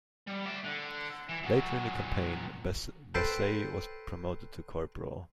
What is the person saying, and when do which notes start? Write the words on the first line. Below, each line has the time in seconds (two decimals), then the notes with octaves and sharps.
Later in the campaign, Bassett was promoted to corporal.
0.27 G3
0.46 D5 E5
0.64 D3
1.29 E3
1.43 A#2 F#3
3.15 A4 B4 C5 G5 A5